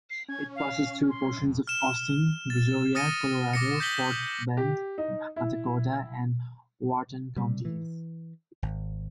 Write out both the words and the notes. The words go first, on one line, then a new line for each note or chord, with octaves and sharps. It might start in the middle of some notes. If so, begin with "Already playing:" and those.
It passes through portions of Austin, Brazoria, Colorado, Fort Bend, Matagorda and Wharton counties.
C7
C#4 G#6
F5
C6
F2
F6 E7
A6
D#6 F6 A6 A#6 C#7 D#7
D6 A#6 C#7
G6 A#6 B6 F#7 G7
G4
D#4
E4
C3 G3
E3
G#1